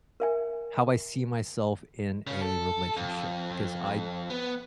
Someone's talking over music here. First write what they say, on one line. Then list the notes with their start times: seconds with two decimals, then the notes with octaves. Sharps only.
how I see myself in a relationship, because I'd
0.20 A#4 E5 G#5
2.27 C#3
2.41 A4
2.97 F2
4.30 B3